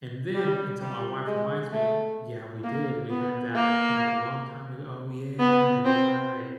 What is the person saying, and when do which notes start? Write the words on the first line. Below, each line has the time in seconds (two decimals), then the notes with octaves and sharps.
And then until my wife reminds me, "Yeah, we did, we had that, you know, a long time ago." "Oh yeah, you're right."
0.35 G3
0.81 G3
1.26 G#3
1.72 A3
2.64 A#3
3.10 B3
3.56 A#3
5.39 B3
5.85 C4